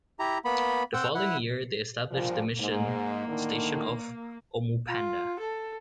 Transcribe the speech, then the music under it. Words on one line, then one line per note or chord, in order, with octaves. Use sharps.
The following year they established the mission station of Omupanda.
E4 G4 A#5
A#3 B3 B5
C4 F#5 G5 E6
E4 F#5
G2 A#2 F3
G#2 A#3
A2 D3 D#3
F4
A4